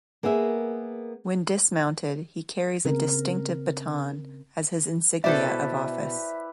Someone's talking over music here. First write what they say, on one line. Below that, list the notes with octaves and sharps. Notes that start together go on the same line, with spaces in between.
When dismounted he carries a distinctive baton as his insignia of office.
A#3 B3 G#4 A#4 E5
C#3 C4 A#4
B2 E4 G4 A4 B4 C5 D5 E5